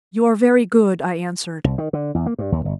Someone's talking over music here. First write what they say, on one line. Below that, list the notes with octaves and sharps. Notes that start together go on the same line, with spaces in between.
"You are very good," I answered.
C2
D#3
D3
E2
A#3
G2
D#2
G1